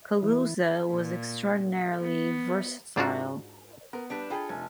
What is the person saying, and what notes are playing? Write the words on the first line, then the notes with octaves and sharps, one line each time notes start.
Kaluza was extraordinarily versatile.
E3
A#2
B3
G#2 D4 F4 F#4
B3 A#4
G3 D4 B4
F4 G#4 A4 G5 B5
F1 G#5